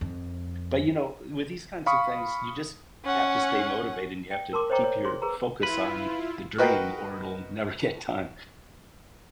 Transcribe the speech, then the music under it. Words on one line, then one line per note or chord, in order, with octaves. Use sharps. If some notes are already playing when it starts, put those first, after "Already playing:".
But, you know, with these kinds of things, you just have to stay motivated and you have to keep your focus on the dream or it'll never get done.
F2
F5 B5 C#6 D#6
C#4 F#5
G5
A#4 A5 C6 D6
C5 C#5 D#5 G5 A#5 D6
C#5
G#4 C6
G#4 B4 A#5
E4 F4 B4
F#4 A#4 B4 D#5 G5